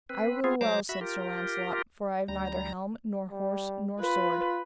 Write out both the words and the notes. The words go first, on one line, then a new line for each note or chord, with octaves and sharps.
I will well, said Sir Launcelot, for I have neither helm, nor horse, nor sword.
C4 B4
B3 C4 F4 G#4
F#3 G#3 C5 A#5 D6
F#4 E5 B5
F4 G4 A#4
D2 G3 A#5
G3
F4 B4